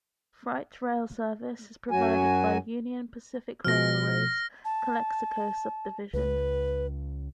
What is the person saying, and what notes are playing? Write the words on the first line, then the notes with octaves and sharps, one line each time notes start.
Freight rail service is provided by Union Pacific Railroad's Calexico Subdivision.
F#2 F#3 F#4 G#5
B2 F3 F6 A#6
A5
C#2 B4